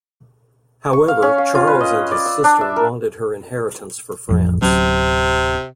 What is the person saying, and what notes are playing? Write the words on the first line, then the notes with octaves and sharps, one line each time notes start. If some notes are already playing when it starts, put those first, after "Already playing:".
However, Charles and his sister wanted her inheritance for France.
C#6
F5
C#4
F5
F4
B4
D#5
D5
E6
D4
E5
A#4
A1 F2 F3
D1 C3 F#3 C#4